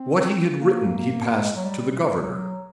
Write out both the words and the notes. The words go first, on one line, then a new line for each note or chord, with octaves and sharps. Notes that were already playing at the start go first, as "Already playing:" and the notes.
What he had written he passed to the governor.
Already playing: C4
A#3
A#3
G#3
F#3
G3
F#3